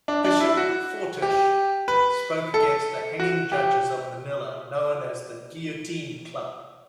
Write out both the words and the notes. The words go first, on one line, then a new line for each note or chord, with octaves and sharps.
Bishop Fortich spoke against the hanging judges of Manila known as the Guillotine Club.
D4
D4
E4
F#4
G4
B4
A4
F#4
G4